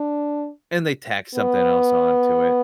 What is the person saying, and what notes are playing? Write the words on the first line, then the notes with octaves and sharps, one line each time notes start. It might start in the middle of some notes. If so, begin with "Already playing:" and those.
and they tack something else onto it.
Already playing: D4
B3